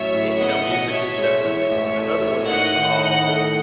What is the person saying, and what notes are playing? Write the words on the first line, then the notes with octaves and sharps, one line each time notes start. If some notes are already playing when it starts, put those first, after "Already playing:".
y you know, music is definitely one. Another one is I'll
Already playing: A1 F#3 C#4 C#5 E5
A2
B3 D#5 F#5
B2
B2 C#5 E5
G#3
E3 C#5 E5
A1
A3
A2
D#4 D#5 F#5
D#3
D#3
A3